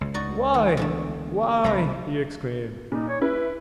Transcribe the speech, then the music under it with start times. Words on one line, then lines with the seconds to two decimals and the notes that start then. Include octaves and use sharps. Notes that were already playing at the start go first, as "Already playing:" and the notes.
"Why--why!" he exclaimed.
0.01 C#2
0.14 D#4 F#4 D5
0.54 D#3
0.77 E2 D3 A3
1.64 C2 C5 A#5 B5
2.92 A#2 D#4
3.08 C#5
3.22 E4 B4